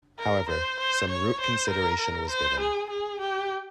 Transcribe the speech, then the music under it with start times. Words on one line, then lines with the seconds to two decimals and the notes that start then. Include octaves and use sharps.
However, some route consideration was given.
0.19 A#4
0.49 C5
0.80 C5
1.10 C#5
1.40 C5
1.70 A#4
2.00 A#4
2.30 C5
2.60 G#4
2.90 G#4
3.20 G4